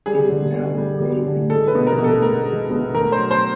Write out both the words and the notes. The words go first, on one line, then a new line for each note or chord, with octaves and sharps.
It is now a Grade B locally listed building.
G3 G#4
D3
D3
G3
G3
D3
G#3 A4
B4
B2
A#4
B2
A4
G#3 A#4
G#3
B2
A3 A#4
C5
F#3
C5